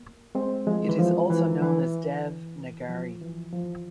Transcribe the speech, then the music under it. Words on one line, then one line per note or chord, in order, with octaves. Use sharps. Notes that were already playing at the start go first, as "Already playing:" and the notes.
It is also known as Dev Nagari.
Already playing: A#3
G#3 C4
F3 G#3
E3
F3
E3
E3
F3
E3
F3